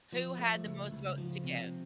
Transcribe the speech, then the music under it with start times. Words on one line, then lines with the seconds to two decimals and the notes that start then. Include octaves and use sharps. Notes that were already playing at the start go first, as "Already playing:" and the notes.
who had the most votes to get.
0.12 F3
0.39 A3
0.65 C#2
0.91 C#2
1.18 F3
1.44 C3